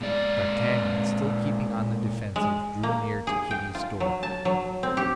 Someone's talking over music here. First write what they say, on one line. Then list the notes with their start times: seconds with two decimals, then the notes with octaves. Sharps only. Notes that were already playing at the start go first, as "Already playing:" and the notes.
But d'Artagnan, still keeping on the defensive, drew near to Kitty's door.
0.01 A#2 G#3 D5
2.36 G#3
2.83 A#3
3.27 G#4
3.51 G5
3.75 F4
4.00 F#3
4.23 A5
4.45 F#3
4.83 C4
4.97 G4